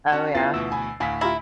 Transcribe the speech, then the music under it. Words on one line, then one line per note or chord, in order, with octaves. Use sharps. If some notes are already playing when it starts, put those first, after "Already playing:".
Oh, yeah.
C#4 F#4 F#5 A5
B3 E4 F4 A6 C7
D2 B2 E3 E6
G#5 B5
D2 A2 F5 G#5 B5 B6
E4 F4 G4 A#5